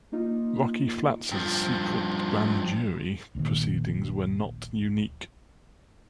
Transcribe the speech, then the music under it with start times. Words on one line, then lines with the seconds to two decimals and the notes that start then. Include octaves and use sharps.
Rocky Flats' secret grand jury proceedings were not unique.
0.12 A#3 D#4 F4
1.32 G2 F3
3.35 D1 A#1 A#2 D#3